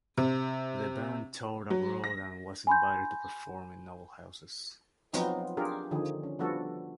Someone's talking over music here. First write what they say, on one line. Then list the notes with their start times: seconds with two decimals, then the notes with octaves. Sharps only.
The band toured abroad and was invited to perform in noble houses.
0.18 C3
1.70 F#3
2.04 A#6
2.67 G#5 B5 C6 G6
5.13 F3 F#3 B3 C4 D#4
5.38 F4
5.57 D4 F4 G4 G#4 A#4
5.91 D3 D#3 F3 G#4
6.23 C#4
6.39 F3 G3 B3 D4 F#4 A4